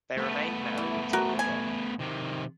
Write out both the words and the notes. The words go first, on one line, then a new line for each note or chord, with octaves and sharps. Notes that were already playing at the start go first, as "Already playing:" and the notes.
They remained married until her death.
A3 B3
E3
F#4 A#4
G#5
C3 D#3